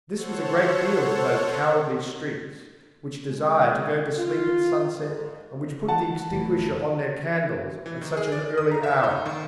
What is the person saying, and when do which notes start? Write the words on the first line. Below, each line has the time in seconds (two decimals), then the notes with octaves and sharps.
This was a great deal for those cowardly streets, which desire to go to sleep at sunset, and which put the extinguisher on their candles at such an early hour.
0.11 A4 C5 C#5 F#5
3.27 G#3
4.15 F4
4.97 G#2
5.88 E3 F#5 A5
6.31 F1 E3 A3
7.86 E3
8.01 D#3
8.17 G#4
8.32 D5
8.58 D#6
8.71 A#5
8.84 E5
9.03 D#4
9.26 D#3